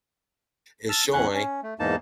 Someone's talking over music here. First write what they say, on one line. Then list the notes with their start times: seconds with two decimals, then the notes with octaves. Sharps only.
is showing
0.89 A5 E6 F6
1.13 E2 C#4 F#5 F#6
1.34 C#4
1.63 A3
1.80 E2 G#2 A#3 D#4 A5